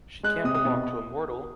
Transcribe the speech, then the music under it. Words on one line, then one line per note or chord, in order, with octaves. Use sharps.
She can’t belong to a mortal!
G#3 F#6
C3 D#6
D#6
B2